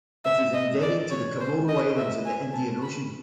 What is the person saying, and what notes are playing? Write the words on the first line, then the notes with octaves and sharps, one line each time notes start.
It is endemic to the Comoro Islands in the Indian Ocean.
E5
D#5
D5
C#5
C5
D#5
E5
G#5
A5
B5